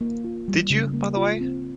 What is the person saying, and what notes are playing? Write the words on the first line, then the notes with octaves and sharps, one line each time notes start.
Did you, by the way?
A#3
F4
G3
C#3
A#3
F4
C4